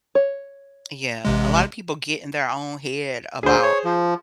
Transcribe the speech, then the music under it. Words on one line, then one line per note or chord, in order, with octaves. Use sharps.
Yeah. A lotta people get in their own head about
C#5
A1 C3 G#3
D2 G#4 C5
C#5
F3